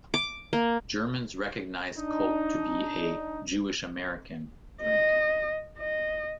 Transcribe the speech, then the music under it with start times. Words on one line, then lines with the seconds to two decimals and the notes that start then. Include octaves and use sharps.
Germans recognized Coke to be a "Jewish-American" drink.
0.14 D6
0.53 A#3
1.96 D4 D#4
4.83 D#5
5.78 D#5